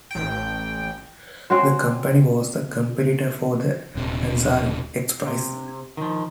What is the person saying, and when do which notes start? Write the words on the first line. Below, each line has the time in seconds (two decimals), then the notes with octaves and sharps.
The company was a competitor for the Ansari X-Prize.
0.11 A1 G5
1.50 C4 C#4 F#4 C5
3.95 D#1 C3
5.27 C3
5.97 D#3 F3